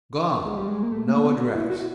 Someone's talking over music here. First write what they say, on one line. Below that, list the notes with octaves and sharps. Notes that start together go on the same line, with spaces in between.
Gone--no address.
G#3
G3
G#3
A#3
A3
A#3
B3
E4
F#4